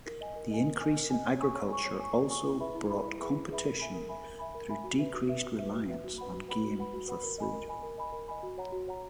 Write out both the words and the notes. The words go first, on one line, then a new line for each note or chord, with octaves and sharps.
The increase in agriculture also brought competition through decreased reliance on game for food.
A#4
D#5 G#5
A#4
D#5 G#5
A#4
D#5 G#5
A#4
D#5 G#5
C#5
G#5 C#6
C#5
G#5 C#6
C#5
G#5 C#6
C#5
G#5 C#6
E4
G#4 B4 E5 B5
E4
G#4 B4 E5 B5
E4
G#4 B4 E5 B5
E4
G#4 B4 E5 B5
A#4
E5 G#5 B5
A#4
E5 G#5 B5
A#4
E5 G#5 B5
A#4
E5 G#5 B5
F#4
B4 E5
F#4
B4 E5
F#4
B4 E5
F#4
B4 E5
F#4
B4 F#5 B5
F#4
B4 F#5 B5
F#4
B4 F#5 B5
F#4
B4 F#5 B5
A#4
D#5 G#5 B5
A#4
D#5 G#5 B5
A#4
D#5 G#5 B5
A#4
D#5 G#5 B5
F#4
C#5 F#5 A#5
F#4
C#5 F#5 A#5